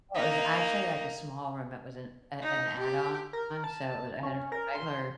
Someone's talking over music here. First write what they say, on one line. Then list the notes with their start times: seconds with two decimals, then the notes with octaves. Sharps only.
Oh, it was actually, like, a small room, it was an, uh an add-on, so it was it had just a regular,
0.15 A#3 D#4
2.41 D#4
2.79 G4
3.33 A#4
3.64 A5
4.23 C#4
4.52 A#4
4.75 C6